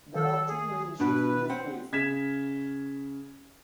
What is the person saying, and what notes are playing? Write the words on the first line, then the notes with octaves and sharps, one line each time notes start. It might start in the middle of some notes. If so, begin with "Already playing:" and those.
There are two main issues in this case.
D#3 A4
G#4
B2 D4 B4
C4 F#5
C#3 G#6 B6 E7